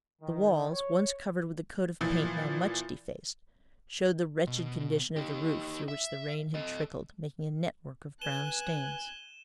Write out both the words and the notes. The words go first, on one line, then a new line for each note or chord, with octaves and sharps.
The walls, once covered with a coat of paint now much defaced, showed the wretched condition of the roof through which the rain had trickled, making a network of brown stains.
D#3
C#5
A#2 E3 F3
B2
D#4 G4
E5
A4 D#5
B4 G#5 F#6 G#6 D#7 E7 G7